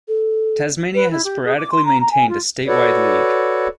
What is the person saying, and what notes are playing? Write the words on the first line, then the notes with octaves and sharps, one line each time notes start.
Tasmania has sporadically maintained a statewide league.
A4
B4
E4
G4
G#4
D6
C6
A#5
A#5
G#5
F4
F#4 A4 B4 C#5 D5